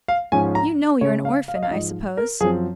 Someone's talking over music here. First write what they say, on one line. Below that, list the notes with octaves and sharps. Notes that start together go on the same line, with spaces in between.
You know you're an orphan, I suppose?'
F5
G#2 F3 G#3 C#4 G#5
A#5
C#3 G#3 C#4 C#5
F5
F5
D#5
F5
G#2 F3 G#3 D#5
A#4
F#2 F3 C4 G#4